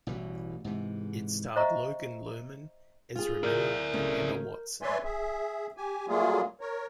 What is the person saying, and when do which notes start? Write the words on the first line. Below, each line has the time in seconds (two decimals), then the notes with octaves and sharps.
It starred Logan Lerman, Ezra Miller, and Emma Watson.
0.07 A1 B2 E3 G3
0.64 G#2 C3 E3
1.56 C5 D#5 E5 F#5 A#5 C#6
3.16 F4 G#4
3.43 E4 A#4 D5 G6
3.93 C#3 A3 C#4
4.82 B4 C#5 D5 E5 G#5 C6
5.04 G#4 E5
5.77 G4 G#5
6.08 F#3 G3 A3 A#3 F4 G#4
6.61 A#4 C#5